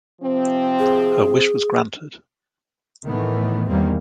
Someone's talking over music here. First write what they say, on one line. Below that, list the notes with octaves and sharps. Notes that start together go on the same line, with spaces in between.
Her wish was granted.
C3 F3 C4
G#4
A2 D#3 E3 A3 B3
E2 D#3 G3 A#3 C4